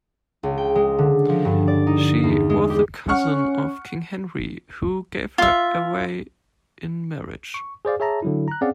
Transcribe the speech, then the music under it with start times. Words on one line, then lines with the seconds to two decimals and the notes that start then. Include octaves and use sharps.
She was the cousin of King Henry, who gave her away in marriage.
0.43 C#2
0.58 G5
0.75 G#3
0.98 D3
1.29 F3
1.45 G2
1.68 D5
1.87 D#4
2.24 E2
2.50 G#3
2.70 G4
3.09 C#4 F#5 C#6 F6
5.38 F4 E5
7.54 C#6
7.85 G#4 C5 D5 F5
8.00 G#4 C#5 E5 A5 A#5
8.22 D3 F#3 E4
8.48 A#5 F#6
8.61 C4 C#4 G#4 D5 F5 F#5